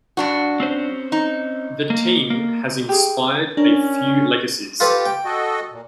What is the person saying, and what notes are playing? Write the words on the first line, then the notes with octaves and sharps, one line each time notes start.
The team has inspired a few legacies.
G2 D4 F#4
C4 C#4 C5
D#4
A#3
A#3
G4 G#4
C#4 D4 A#4
F4 G4 A4 B4
G5
F#4 A4 D#5
A#2